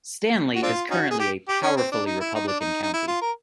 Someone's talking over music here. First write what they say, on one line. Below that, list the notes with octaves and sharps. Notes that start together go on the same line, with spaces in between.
Stanly is currently a powerfully Republican county.
F#4
C4 D4 F4
C#4 D#4 F#4
G#4
G4
G4
C#4
C4
D4
D#4
E4
D#4
D4
D#4
D#4
E4
F4
A#4